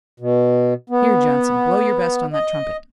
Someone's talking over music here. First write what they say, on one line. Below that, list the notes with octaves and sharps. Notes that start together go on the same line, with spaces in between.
Here, Johnson, blow your best on that trumpet.
B2
B3
D#5